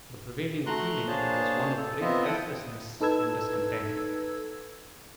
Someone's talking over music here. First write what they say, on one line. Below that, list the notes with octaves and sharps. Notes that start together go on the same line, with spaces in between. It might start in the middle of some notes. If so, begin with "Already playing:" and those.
The prevailing feeling was one of great restlessness and discontent.
A3 F#4 A#5 C6 F#6
A#3 D4 G#4 C5 C#5 A5
A4
B3 C4 F4 D#5 E5
E4 A4 F#5 G5 D#6
D#4 A4 B4 E6 G#6